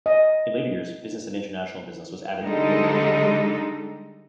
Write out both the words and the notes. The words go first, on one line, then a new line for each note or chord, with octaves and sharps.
In later years, Business and International Business was added to the program line-up.
D#5
D3 G3 G#3 D#4 A4